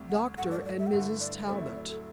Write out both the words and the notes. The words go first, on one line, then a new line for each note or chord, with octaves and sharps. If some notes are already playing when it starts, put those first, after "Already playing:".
"Dr. and Mrs. Talbot."
Already playing: D2 C3 G3
F#5
G2 F#3 A3 F#5
D5
D5
E5
G5
G2 D3 A3 E4 F#5
D5
D2 C3 F#3 A3 E4 C5
D5
E5
D5
A4